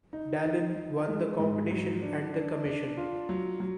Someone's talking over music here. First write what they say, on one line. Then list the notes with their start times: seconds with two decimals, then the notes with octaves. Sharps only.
Dallin won the competition and the commission.
0.13 D#4
0.45 D#4
0.76 D#4
1.08 G#3
1.39 G#2
1.71 F#3
2.02 D4
2.34 D4
2.65 D4
2.97 F4
3.29 F#3
3.60 F#3